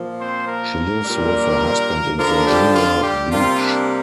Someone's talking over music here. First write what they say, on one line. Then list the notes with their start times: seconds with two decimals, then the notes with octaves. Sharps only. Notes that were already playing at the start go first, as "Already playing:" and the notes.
She lives with her husband in Virginia Beach.
Already playing: A#2 F3
0.20 C4 C5
0.48 A#3 A#4
1.04 A#2 G3 D4
2.18 D3 F3 A#3 D4 A#4
2.46 G3 G4
2.74 F4
3.03 G3 G4
3.31 C3 G3 A#3 F4
3.59 D4